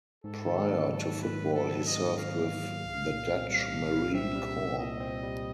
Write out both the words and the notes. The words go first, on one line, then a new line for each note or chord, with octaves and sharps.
Prior to football he served with the Dutch Marine Corps.
G#2 A4
D#3
A#3
F#3 A4
G#2
B4
D#3
A#3 A4
F#3
D#5
G#2
D#3 F5
A#3
F#3
C2
A#2
C4
G3 F5
C2
A#2
C4 E5
G3
C2
A#2 D#5
C4
G3